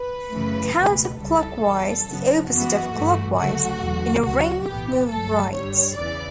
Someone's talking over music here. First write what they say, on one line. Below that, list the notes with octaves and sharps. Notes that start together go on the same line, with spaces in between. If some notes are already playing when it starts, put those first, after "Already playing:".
Counter-clockwise - the opposite of clockwise - in a ring, move right.
Already playing: B4
F#2 C#3 E3 A3
C#2 B2 A3
C#2 C#3 G3 A4
E2 B2 G3
F#2 C#3 F#3 B3
F#2 E3 B3 F#4
G2 E3 A3
D2 C#3 F#3 A3 F#4
E2 D3 F#3
D2 C#3 F#3 F#4
B1 A2 E3 B3 G4
G1 G2 F#3 A3 A4
G2 D3 G3 C#5
E2 C#3 E3 D5